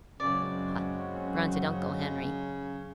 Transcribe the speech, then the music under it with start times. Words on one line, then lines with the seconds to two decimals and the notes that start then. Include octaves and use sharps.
"Huh!" grunted Uncle Henry.
0.20 F#1 C#3 F#3 G#3 C4 C#4 F#4 D5